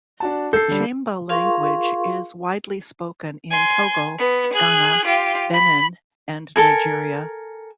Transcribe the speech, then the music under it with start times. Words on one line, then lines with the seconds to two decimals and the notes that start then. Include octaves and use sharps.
The Tchamba language is widely spoken in Togo, Ghana, Benin, and Nigeria.
0.20 D4 F#4 A5
0.53 A4 G6 C7
0.68 D3 G3
1.29 F4 G#4 A#4 F5 C6 C#6
3.50 G#5 C6
4.19 B3
4.53 G#4 F#6
5.05 F4 G4
5.53 B5
6.56 A4 A#4 G#5